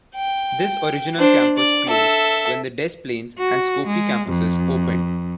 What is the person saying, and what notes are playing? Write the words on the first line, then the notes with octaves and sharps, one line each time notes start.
This original campus closed when the Des Plaines and Skokie campuses opened.
G5
D4 C5
D5
A4 E5
F#4
G#3
F2